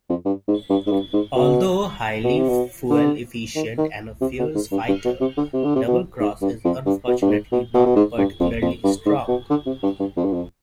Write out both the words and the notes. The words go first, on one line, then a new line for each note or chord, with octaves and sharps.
Although highly fuel efficient and a fierce fighter, Doublecross is unfortunately not particularly strong.
F2
G2
G#2
G2
G#2
G2
G#2
B2
B2
C3
B2
D3
D#3
D#3
C3
B2
G#2
G2
G2
B2
C3
D3
C3
D3
C3
B2
G#2
G2
F2
G2
B2
G2
G#2
B2
B2
B2
G#2
G2
F2
F2
G2
G#2
B2
D3
C3
G2
G2
F2
G2
F2